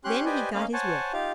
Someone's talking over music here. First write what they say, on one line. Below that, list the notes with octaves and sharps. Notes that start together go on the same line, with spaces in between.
Then he got his whip.
C#4 G4 C6 F#6
G4 B4 C5 D5 D#5 G#5
A#3 C#4 D#5 F5
C5 C#5 F#5 G#5 A5
D#4 F4 G4 F5